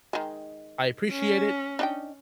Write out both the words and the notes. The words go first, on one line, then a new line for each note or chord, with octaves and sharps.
I appreciate it,
D#3 G#3
C#4
D4 D#4 G5